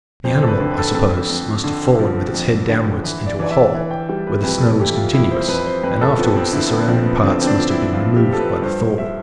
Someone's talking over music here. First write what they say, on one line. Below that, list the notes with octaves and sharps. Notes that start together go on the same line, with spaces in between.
The animal, I suppose, must have fallen with its head downward into a hole, when the snow was continuous, and afterwards the surrounding parts must have been removed by the thaw.
F2 C5
A4
B4
D3
B4
A4
B4
F2 A4
F2
D3
F3
F2
D3
E3 B4
D5
E3 D5
E5
E3
G5
G3 G5
B4
F2 B4
A4
E3 G4
F4
F2 E4
C5
F2 B4
C5
F2 B4
A4
F3 B3
C4
D3 E4
B3
F3 C4
B3
D3 C4
C4
D4
F3
E4
F3 F4
G4
F3
A4
B4
G2 C5
E5